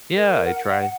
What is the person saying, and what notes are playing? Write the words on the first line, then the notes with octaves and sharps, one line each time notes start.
yeah, I try
A#4
F#5